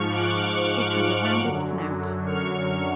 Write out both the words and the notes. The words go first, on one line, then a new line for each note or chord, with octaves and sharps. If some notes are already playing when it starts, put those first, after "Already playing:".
It has a rounded snout.
Already playing: G#2 F3 C#6 F6
D6 F#6
F#2 D3 F#3
C#6 F6